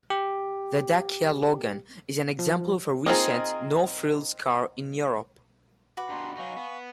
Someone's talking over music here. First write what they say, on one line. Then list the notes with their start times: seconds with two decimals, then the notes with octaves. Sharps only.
The Dacia Logan is an example of a recent no-frills car in Europe.
0.10 G4
2.39 F3
3.06 A#3 C4 D#4 F4 G#4 D#5
5.97 F#4 B4 D6
6.09 G2 B2 G#5 A#5 C6
6.36 F#3 D#4 F5 G#5 C#6
6.57 B3